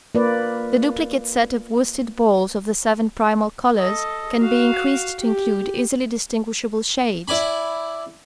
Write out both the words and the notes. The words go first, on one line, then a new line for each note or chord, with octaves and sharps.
The duplicate set of worsted balls of the seven primal colors can be increased to include easily distinguishable shades.
A#3 F4 B4 D5
A4 D#5
F#4 F5
G4
E4 D5 G#5 B5